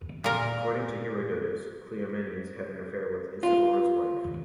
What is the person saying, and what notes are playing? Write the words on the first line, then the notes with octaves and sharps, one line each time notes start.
According to Herodotus, Cleomenes had had an affair with Isagoras' wife.
A#2 A#4
F4